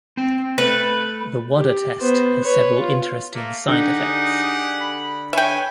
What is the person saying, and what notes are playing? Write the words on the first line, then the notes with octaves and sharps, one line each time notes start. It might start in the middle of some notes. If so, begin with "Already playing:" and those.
The Wada test has several interesting side-effects.
C4 G5
A3 B4
G4
B3 C5
B4 C#5
F4
A3 A#3
D3 D#4 G4 G#4 F#5
B5
B4 C#5 E5 G5 G#5